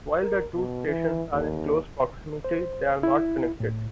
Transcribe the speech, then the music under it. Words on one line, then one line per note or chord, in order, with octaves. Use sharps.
While the two stations are in close proximity, they are not connected.
A#4
B2
E3
D#2
C5
E4
A2